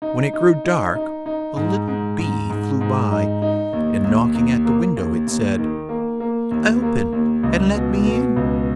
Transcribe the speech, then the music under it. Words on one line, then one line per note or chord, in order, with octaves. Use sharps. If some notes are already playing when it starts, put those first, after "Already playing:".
When it grew dark, a little bee flew by, and knocking at the window, it said, 'Open, and let me in.'
D#4
D#4
D#4
D#4
D#4
G#2
G#2
G#2
G#2
G#2
D#4
D#4
D#2
D#2
D#2
A#3
D#2
D#2
D#3
A#3
A#3
D#2
A#3
D#2
C#2
B2
B2
C#2